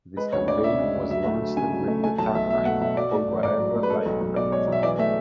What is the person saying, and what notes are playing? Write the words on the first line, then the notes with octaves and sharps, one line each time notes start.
This campaign was launched with the tagline "For Whatever life throws".
G#3 B4
D2 C#5
D2 D5
C#3 E5
G#3
D2
F#3 E5
A3
D2
C#3 G#5
F#3
A3
A3 G#5
B1 A5
B1 E5
B2 E5
A3 F#5
B1 E5
F#3 D5
A3
A1
G#2 D5
F#3
A3
B4
G#3 A4
B1
B1
B2 D5
G#3 C#5
B1 E5
E3 D5
A3 E5